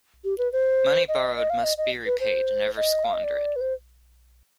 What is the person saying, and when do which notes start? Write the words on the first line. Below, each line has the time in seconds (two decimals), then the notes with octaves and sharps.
Money borrowed must be repaid, never squander it.
0.24 G4
0.38 B4
0.53 C5
1.09 D#5
1.37 D#5
1.50 F5
1.64 D#5
1.78 D#5
2.06 B4
2.20 C5
2.77 D#5
3.04 F5
3.13 D#5
3.24 D5
3.56 B4
3.61 C5